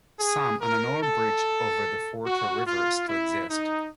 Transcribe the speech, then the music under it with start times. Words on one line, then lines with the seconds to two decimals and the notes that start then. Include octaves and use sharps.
Some and an old bridge over the Fortore river still exist.
0.20 G#4
0.61 A#4
1.02 A4
2.26 F#4
2.67 F4
3.08 E4
3.49 D#4